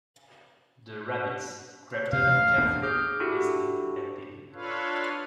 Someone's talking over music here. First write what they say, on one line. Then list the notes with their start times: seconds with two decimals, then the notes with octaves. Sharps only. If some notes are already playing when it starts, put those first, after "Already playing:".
The rabbits crept up carefully, listening and peeping.
2.12 C3 F5
2.27 A1
2.58 E1 B3 D4
2.82 G#4 D6 F6 G6
3.20 D4 E4 F#4 G4 A4
4.54 D4 F4 A4 B4 C#5 F5